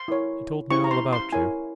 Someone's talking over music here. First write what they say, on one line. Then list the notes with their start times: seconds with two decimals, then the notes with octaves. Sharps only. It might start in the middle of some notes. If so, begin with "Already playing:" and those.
He told me all about you....
Already playing: C6
0.08 E4 A#4 C#5
0.71 C#4 E4 G4 C5 C#6
0.84 A#5
0.91 C6
1.13 C6
1.33 E4 A#4 C#5 G#5